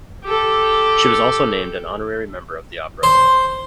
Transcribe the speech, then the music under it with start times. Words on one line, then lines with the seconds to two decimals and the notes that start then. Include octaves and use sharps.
She was also named an honorary member of the opera.
0.24 G4 A4
3.03 C5